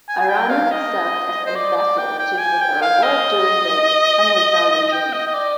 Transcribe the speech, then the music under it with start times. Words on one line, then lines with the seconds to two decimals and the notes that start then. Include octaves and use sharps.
Arana had served as the ambassador to Nicaragua during the Somoza regime.
0.09 G#5
0.20 G#5
0.29 G5
0.50 F5
0.71 D#5
1.45 C5
1.55 D5
1.76 D5
1.98 G5
2.19 G5
2.39 G#5
2.61 G5
2.82 F5
3.03 D#5
4.92 G5
5.13 D#5
5.26 D#5
5.34 D5